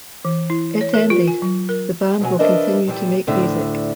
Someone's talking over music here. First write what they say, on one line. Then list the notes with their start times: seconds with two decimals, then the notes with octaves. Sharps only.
It ended: The band will continue to make music.
0.25 E3
0.50 E4
0.81 C#5
0.94 A#4
1.10 F4
1.28 G#5
1.42 F#3
1.69 A#4
2.21 B2 F#3 G#5
2.39 F3 D4 A#4 B4 D#5 E5
2.88 A#2 E3 G3
3.27 D2 A2 D3 E5